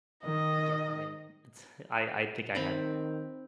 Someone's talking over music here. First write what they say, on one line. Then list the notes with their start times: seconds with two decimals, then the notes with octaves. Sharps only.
Yeah, I mean, it's I I think I had
0.25 D#3 D#5
2.55 D#3 C4 A#5 B5